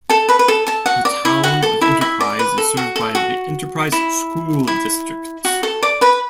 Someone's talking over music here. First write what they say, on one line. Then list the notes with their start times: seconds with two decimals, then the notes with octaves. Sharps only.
The town of Enterprise is served by the Enterprise School District.
0.10 A4 A5
0.29 B4 B5
0.39 B4
0.48 A4
0.67 A4 A5
0.86 F#4 F#5
1.05 D5
1.25 E4 E5
1.43 F#4 F#5
1.62 A4 A5
1.81 E4 E5
2.01 E4 E5
2.20 D5
2.39 B4
2.58 A4
2.77 F#4
2.96 A4
3.15 F#4
3.92 E4
4.67 E4
5.45 F#4
5.63 A4 A5
5.83 D5 D6
6.01 B4 B5